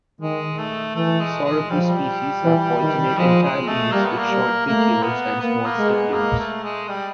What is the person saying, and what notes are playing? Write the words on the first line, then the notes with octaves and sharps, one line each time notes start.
Sauropus species have alternate, entire leaves with short petioles and small stipules.
D#3 G#3
A3
E3 A3
G#3
G#3
F3 G3
G3
E3
D#3
F3 G#3
G#3
A3
G3 A#3
B3
A#3
G3
A3 A#3
B3
A#3 B3
A#3
G#3
B3
A#3
A3
G#3
G3